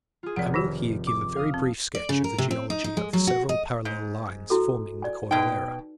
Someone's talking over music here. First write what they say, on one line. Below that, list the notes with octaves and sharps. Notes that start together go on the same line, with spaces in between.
I will here give a very brief sketch of the geology of the several parallel lines forming the Cordillera.
F4 G#4
F1 D5 F#5
D#3 F3 G4
D6
F5 D#6
C4
D5
C#3
A#4
C3
C4
D#4
D#4
G#3
F#3
F#4
D#5
G#2
E4 F#4 A4
D5 G#5
B2 D#4 B4 G5